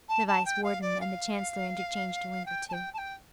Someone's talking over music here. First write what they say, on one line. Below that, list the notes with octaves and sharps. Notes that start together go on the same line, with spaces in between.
The Vice-Warden and the Chancellor interchanged a wink or two.
A5
A5
G5
F5
D5
F5
G5
A5
G5
A5
G5